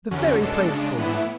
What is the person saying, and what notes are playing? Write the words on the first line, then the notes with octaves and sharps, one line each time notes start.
The very place for him.
E2 D3 F#3 C#4
B2 G#3 D4 A4
C#3 G#3 D4
A2 E3 B3 E4